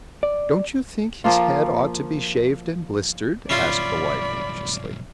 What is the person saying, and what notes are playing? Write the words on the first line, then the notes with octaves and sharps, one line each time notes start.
"Don't you think his head ought to be shaved and blistered?" asked the wife, anxiously.
D5
F3 A#3 F4
B1 G2 C#4 E4 F4 D5 B5